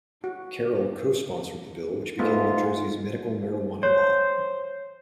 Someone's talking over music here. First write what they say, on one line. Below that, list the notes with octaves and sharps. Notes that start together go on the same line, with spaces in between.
Carroll co-sponsored the bill which became New Jersey's medical marijuana law.
F#4
G#2 A3 B3 F4
C5 C#5